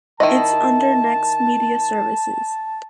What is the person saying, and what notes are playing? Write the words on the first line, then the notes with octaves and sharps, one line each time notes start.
Its under Next Media Services.
D#3 E4 D#5 A5